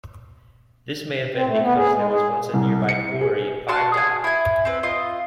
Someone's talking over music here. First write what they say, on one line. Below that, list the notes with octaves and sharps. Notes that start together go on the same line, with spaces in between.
This may have been because there was once a nearby quarry in Five Dock.
C4
A3
B3
G#4
G#3
G#4
C2
C#7
G#4
F#4 A5 C6 F#6
G#4 G#5
E4 G#5
C4 B4
F4 D#5